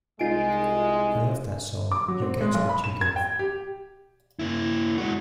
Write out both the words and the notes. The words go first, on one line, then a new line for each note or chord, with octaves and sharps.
I loved that song 'You Get What You Give.
C2 G#3 D#4 F4 D#5 G#5 D7
D6
F#3
C4
G#3
B1
B5
E7
G#6
G5
G4
A#3 E4
G#3 F#4